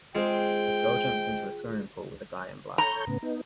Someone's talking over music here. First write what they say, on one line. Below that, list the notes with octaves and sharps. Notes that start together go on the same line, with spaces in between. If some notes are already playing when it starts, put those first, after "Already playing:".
A girl jumps into a swimming pool with a guy in black.
G#3 C4 F4 G#4 G5
A4 C#5 A#5 G6
A2 C#3 B3
B3 D#4